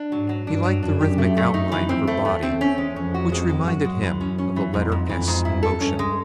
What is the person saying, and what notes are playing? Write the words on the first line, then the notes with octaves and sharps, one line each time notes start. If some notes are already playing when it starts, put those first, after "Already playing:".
He liked the rhythmic outline of her body, which reminded him of a letter S in motion.
Already playing: D4
G#2 F#3
F#3
G2 D4
F#3
F#2 D4
G4
A3
A3
F#2 D#4
E3
F2 C4
A3
E2 A3
C4
C#4
G#3
F2 C#4
F#4
G#3
G#3
F#2 F#4
G#3
E3
C#4
C#4
E3
F2 G#2
G#2
F2 E3
G#2
E4
A4
G2 C#4
G#3